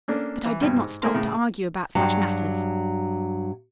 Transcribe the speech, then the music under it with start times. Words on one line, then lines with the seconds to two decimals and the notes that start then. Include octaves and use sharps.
But I did not stop to argue about such matters.
0.08 A#3 C#4 D4 A4
0.45 E3
0.61 C2 G2 B2
0.76 G#2
1.02 A3 A#3 G#4 A#4 C6
1.15 A2 C#3
1.95 G2 F#3